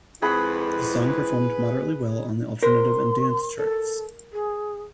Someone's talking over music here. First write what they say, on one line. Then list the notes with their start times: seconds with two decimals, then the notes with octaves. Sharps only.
The song performed moderately well on the alternative and dance charts.
0.22 F2 G#3 E4 G#4 B4 F#5 B5
2.63 A#4 C5 C6
3.57 A4
4.32 G#4